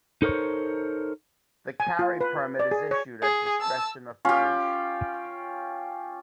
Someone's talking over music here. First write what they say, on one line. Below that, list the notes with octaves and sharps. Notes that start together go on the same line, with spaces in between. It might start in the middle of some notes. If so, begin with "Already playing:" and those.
The carry permit is issued at discretion of police.
D#4 A4 A#4 C5 C#5
G#5
F4
B4
D5
G#4
C#5
G#4
A5 E6
C#4 F4 G4